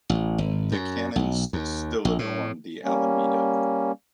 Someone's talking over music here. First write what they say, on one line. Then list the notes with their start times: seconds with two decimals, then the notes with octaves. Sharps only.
The cannons still adorn the Alameda.
0.10 A1
0.38 G#1
0.72 F#2
1.16 B1
1.53 D#2
2.05 A#1
2.19 A2
2.84 G3 A#3 C#4